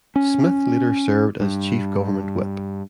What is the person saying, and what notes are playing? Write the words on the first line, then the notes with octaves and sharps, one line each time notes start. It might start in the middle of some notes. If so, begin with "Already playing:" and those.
Smith later served as Chief Government Whip.
C#4
G2